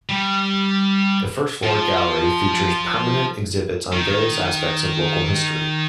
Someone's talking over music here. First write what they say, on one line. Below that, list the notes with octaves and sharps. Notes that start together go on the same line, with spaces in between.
The first floor gallery features permanent exhibits on various aspects of local history.
G3
F3
D#3